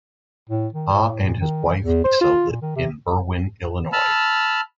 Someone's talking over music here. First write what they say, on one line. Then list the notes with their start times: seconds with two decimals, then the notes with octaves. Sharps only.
Ha and his wife Lisa live in Berwyn, Illinois.
0.50 A2
0.73 D#3
0.92 A2
1.23 A#2
1.41 D#3
1.65 E3
1.81 E2
2.04 C5
2.21 F4
2.50 A#2
2.62 D#3
2.76 C3
3.93 A5 B5 E6 F6